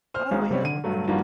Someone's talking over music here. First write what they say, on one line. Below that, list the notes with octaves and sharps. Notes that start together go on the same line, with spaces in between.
Oh, yeah. Okay.
C5 F6
G#1 G#2 G#4
C3 G3 C4 C#4
D3 D#7
G2 F#3 A3
G2 D#3 F3 G3 A#3 F#4